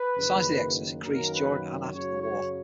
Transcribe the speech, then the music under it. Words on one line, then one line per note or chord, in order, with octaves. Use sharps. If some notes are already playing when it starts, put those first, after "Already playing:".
The size of the exodus increased during and after the war.
Already playing: B4
F#1 F#2 D#3 A#3
F#2 D#3 F#3 A#3 A#4
B4
F#2 C#3 F#3 C#5
C#5